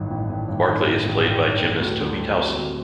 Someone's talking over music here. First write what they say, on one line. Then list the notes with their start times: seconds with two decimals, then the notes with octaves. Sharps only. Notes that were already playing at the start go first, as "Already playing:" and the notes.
Barkley is played by gymnast Toby Towson.
Already playing: A1 G2 D#3
0.11 A1
0.29 A1
0.49 G2
0.68 D#3
0.86 A1
1.05 A1
1.24 G2
1.44 D#3
1.62 A1
1.81 D2
2.00 D3
2.19 G3
2.38 C4
2.56 D2